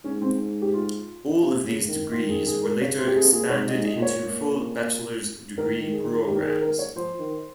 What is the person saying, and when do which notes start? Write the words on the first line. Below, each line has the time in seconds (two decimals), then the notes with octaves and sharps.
All of these degrees were later expanded into full bachelor's degree programs.
0.04 G#2 C#4
0.21 C4
0.62 G4
0.73 F4
1.43 C3
1.66 C#3
1.88 D#3
2.12 D#3 F4
2.29 G#4
2.46 G#4
2.64 A#4
2.81 C#3 C#5
2.98 C3 C5
3.07 G4
3.15 C3 G#4
3.33 A#2 G#4
3.50 G#2 C#5
3.68 D#5
3.73 G#2
3.85 D#5
3.96 A#2
4.02 C#5
4.20 A#2
5.57 D#3 A#4
5.81 D#3
5.92 G#4
6.03 D#3
6.27 D#3 G4
6.35 A#4
6.44 G#4
6.61 A#4
6.79 C#5
6.96 F3 C5
7.19 D#3